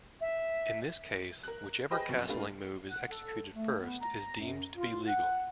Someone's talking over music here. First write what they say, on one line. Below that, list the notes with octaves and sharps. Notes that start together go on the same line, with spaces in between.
In this case, whichever castling move is executed first is deemed to be legal.
E5
A#4 F#6
G#4 B4 C5 D#5 G5 B5
F1 F#2 B2
G3 A3 D4 B4 F5
F#5
A4
A3
B3
A#5
F#2
F4
F#5